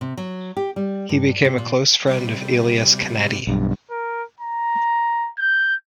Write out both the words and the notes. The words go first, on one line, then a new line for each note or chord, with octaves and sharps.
He became a close friend of Elias Canetti.
C3
F#3
G4
G3
G2
C3
A#2
C3 G3
B1 G2
A#4
A#5
G6